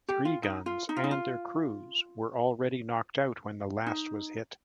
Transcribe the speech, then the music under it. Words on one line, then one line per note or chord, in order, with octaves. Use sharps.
Three guns and their crews were already knocked out when the last was hit.
G4
F4
D#4
F4
D#4
F4
D#4
F4
D#4